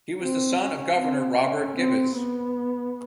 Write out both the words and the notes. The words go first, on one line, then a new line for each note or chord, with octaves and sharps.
He was the son of governor Robert Gibbes.
C4
C#4
C4
C#4
C4
B3